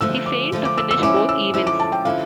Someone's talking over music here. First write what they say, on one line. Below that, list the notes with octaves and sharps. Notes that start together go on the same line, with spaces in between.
He failed to finish both events.
D3 F3 A3 E6
D6
D3 F3 A3
D6
E6
E6
D3 F3 C#4 E4 D6
E6
D3 F3 C#4 E4 E6
D6
A5
G5
D3 F3 C#4 E4 F5